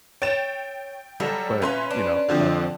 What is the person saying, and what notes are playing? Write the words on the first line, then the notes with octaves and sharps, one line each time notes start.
but, you know, a
C#5 G5 A6 E7
F#3 G3 A4
A#2 C#4 B4 E5 A#5 C6
D4
D3 F3 C4